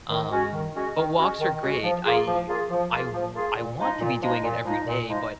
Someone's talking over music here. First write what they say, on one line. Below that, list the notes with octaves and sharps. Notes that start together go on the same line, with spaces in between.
Um, but walks are great. I I w I want to be doing it every day, but
D#3
G#3 C#4 F#4
D#3
G#3 C#4 F#4
D#3
G#3 C#4 F#4
D#3
G#3 C#4 F#4
F3
A#3 F4 G#4
F3
A#3 F4 G#4
F3
A#3 F4 G#4
F3
A#3 F4 G#4
A#2
F3 G#3 D#4
A#2
F3 G#3 D#4
A#2
F3 G#3 D#4
A#2
F3 G#3 D#4